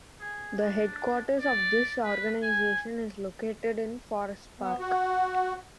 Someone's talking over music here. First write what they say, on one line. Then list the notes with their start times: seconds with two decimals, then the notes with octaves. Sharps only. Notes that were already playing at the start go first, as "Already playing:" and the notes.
The headquarters of this organization is located in Forest Park.
0.20 G#4
0.58 D4
1.40 D5
2.03 B4
2.43 G#5
4.60 B3
4.79 F#4